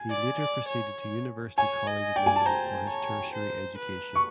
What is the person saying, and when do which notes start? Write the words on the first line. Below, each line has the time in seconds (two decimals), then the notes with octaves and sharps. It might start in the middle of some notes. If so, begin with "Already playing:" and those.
He later proceeded to University College London for his tertiary education.
Already playing: G#5
0.10 D5
0.39 D5
0.69 C#5
1.57 C#5 G#5
1.87 D#5
2.16 D5 G5
2.26 G#5
2.36 A5
2.46 C5 A#5
2.90 C#5
3.34 C5
3.78 B4
4.15 C#6